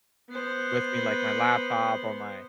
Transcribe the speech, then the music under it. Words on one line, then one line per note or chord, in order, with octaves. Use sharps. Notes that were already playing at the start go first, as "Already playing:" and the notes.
with me, like my laptop or my
B3 C5